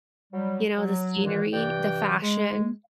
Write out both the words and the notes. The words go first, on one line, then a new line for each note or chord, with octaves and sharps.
you know, the scenery, the fashion.
F#3 G3
F#3
A#2 D#3 E3 G#3
G2 C3 E3 D5 G5
G#3